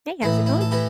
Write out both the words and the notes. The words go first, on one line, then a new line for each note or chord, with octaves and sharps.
Hey, how's it going?
A1 A2 E3 E4
E4
A4
A2 E3 E4 G4